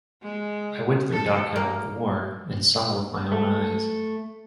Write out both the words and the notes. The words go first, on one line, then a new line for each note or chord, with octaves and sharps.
'I went through Dachau in the war and saw with my own eyes.
G#3
A4
A#3
A3